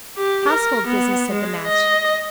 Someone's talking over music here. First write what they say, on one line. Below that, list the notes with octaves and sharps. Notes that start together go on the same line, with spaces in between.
Household business, said the Master.
G4
A#4
B3
G#3
D#5